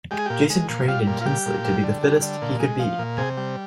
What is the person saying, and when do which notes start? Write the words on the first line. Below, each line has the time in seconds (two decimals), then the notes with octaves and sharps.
Jason trained intensely to be the fittest he could be.
0.11 G#3 G4
0.19 G#4
0.26 A#2 G4
0.50 G#3
0.69 A#2
0.88 G3 F4
1.07 A#2
1.21 F4
1.26 G3 G4
1.46 A#2
1.65 G3
1.83 D3
2.02 G3
2.22 D3
2.42 A#2
2.60 G#3
2.79 F3
2.99 A#2
3.18 C3 G#4
3.37 G3